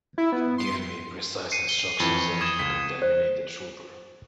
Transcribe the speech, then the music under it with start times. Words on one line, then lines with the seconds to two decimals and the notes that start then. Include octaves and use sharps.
Give me precise instructions how to decontaminate the trooper.
0.18 E4
0.32 B3
0.58 C6
1.52 C7 C#7 D#7
1.69 G7
2.00 F2 E3
2.41 D#6 G#6 E7
2.59 C#2 B6
3.02 C5